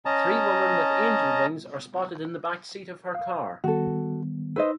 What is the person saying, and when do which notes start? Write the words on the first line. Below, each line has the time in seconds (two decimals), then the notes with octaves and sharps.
Three women with angel wings are spotted in the backseat of her car.
0.05 C#4 D#5 A5 A#5
3.15 F5
3.64 D#3 G3 B3 F#4 A4
4.56 D#4 B4 C5 D#5 E6